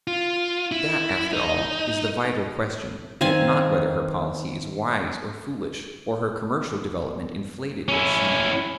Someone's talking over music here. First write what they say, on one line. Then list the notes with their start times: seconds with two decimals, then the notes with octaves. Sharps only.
That, after all, is the vital question, and not whether her policy is wise or foolish, or her commercial development inflated or sound.
0.07 F4
0.72 E4
1.33 D#4
3.21 D#3 C4 F5 G#5
7.88 C#4 E4